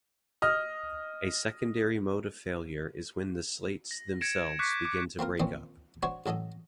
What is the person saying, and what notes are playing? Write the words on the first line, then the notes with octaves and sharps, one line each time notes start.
A secondary mode of failure is when the slates themselves begin to break up.
D#5 F6
A#6
G#6 A#6 C#7 D7 E7
C#6 D6 F#6 G6 B6 C#7
D6
A#3 C4 F4 A#4
A#2 D#3 F3 C4 C#4
D4 F#4 C5 C#5
A1 F#3 A4 D#5 D#6